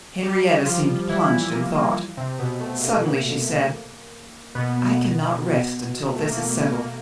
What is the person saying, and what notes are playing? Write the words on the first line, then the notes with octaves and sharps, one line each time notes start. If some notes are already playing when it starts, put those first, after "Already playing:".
Henrietta seemed plunged in thought. Suddenly she said, 'I cannot rest until this is settled.
G3 G4
F3 F4
E3 E4
E3 E4
A#3
A#3
C3 C4
B2 B3
A3
A#3
B2 B3
A3
A#3
A#3